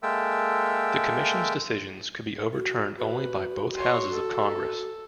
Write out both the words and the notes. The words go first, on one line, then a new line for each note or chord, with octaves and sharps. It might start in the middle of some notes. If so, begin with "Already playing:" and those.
The Commission's decisions could be overturned only by both houses of Congress.
G#3 A#3 A4 E5 G5
F#4
F#4 B4
C#5 C6
A4